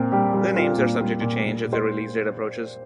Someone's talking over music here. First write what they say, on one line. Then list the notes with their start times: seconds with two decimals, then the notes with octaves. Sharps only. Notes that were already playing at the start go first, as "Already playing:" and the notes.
The names are subject to change as their release date approaches.
Already playing: A#2 C4 A#4
0.12 G3 G4
0.34 G3
0.56 C4 F4
0.78 A#2
1.00 G3
1.21 A#2
1.43 A#2
1.65 A#2
1.73 C5